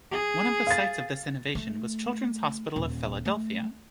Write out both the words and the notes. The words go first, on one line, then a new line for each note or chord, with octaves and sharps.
One of the sites of this innovation was Children's Hospital of Philadelphia.
G#4
F5 A6
A3
D#1
A3